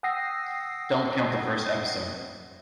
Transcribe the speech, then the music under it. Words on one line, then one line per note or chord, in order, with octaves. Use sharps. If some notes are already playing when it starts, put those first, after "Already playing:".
Don't count the first episode.
F#5 G5 D#6 E6 A#6 C7